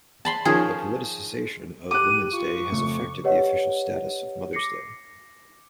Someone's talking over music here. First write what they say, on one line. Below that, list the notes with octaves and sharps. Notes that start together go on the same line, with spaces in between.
The politicization of Women's Day has affected the official status of Mother's Day.
A5 B5 C6
D#3 F3 C#4 G#4
G4 D6 F#6 D#7
F4 C#6
F2 C#3 A3
G4 B4 C#5 D#5 F#5
D6 A#6 C7 C#7